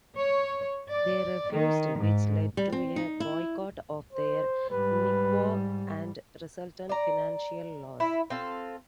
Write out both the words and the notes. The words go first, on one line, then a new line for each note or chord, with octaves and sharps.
They refused, which led to a boycott of their mikvah and resultant financial loss.
C#5
D5
D#3
G#2
G3
C4
D#4
E4
C5
G#2 G3 B4
D5 A#5
E4
C4 F4 A4